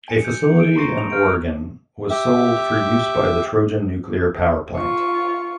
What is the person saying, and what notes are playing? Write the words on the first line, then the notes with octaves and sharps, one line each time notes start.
A facility in Oregon was sold for use by the Trojan Nuclear Power Plant.
G#5 C#7 F7
G6
D7
A#5 C6 C#6 A#6
F7
F6 G6 D7
G4 E5
F4 C#6